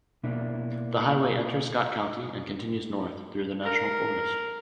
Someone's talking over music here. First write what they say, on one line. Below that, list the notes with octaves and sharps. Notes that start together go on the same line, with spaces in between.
The highway enters Scott County and continues north through the national forest.
B2 A#3 D4 E4
A#4